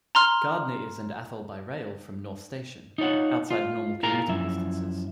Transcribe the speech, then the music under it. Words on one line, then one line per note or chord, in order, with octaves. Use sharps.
Gardner is and Athol by rail from North Station - outside normal commuting distances.
A#5 C6 F6
D#4 F4 C#5 F#5
F4
E4 F4 G#4 A#4 A#5
F#2 F3 E4 E5